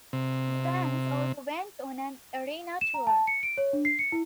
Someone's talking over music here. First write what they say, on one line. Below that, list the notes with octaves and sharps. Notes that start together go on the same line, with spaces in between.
The bands also went on an arena tour.
C3
E7
A#5
A5
C#7
D7
C#5
D4
C7
C#7
E4